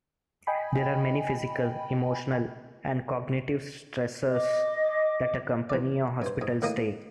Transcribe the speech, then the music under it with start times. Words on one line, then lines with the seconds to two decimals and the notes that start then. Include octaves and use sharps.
There are many physical, emotional, and cognitive stressors that accompany a hospital stay.
0.47 D#5 G5 G#5 B5
4.28 D#5 D6
5.70 E2 D5
6.22 G2 C5
6.41 G#2
6.62 A2 D#3 A#3 D#5 D#6